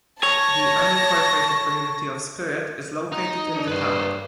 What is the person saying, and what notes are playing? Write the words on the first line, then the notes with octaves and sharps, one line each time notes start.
The unincorporated community of Spirit is located in the town.
C#5 A5 A#6
D#4
D4
G2 B4 C5